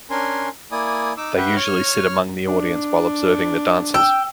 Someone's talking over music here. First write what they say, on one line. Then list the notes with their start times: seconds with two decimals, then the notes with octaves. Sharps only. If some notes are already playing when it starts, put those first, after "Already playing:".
They usually sit among the audience while observing the dances.
0.10 C#4 D4 A#4 G#5 C6
0.72 A#3 E4 D5 G#5 D#6
1.17 D#4 D6 E6
1.37 G4 B4 E5 F#5 G5
1.56 C#5 F6
2.48 D4
3.94 G5 E6